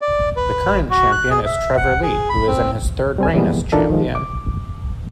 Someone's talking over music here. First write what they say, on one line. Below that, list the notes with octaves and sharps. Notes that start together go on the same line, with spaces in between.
The current champion is Trevor Lee who is in his third reign as champion.
D5
B4
F#4
F#6
G#4
E5
F#5
G#4
B5
C4
G3 C4 G#5
E3 F3 G3 G#3 A#3 B3
E3 D4 D#4 F4 A4 A#4
D#3 F3 G#3
D6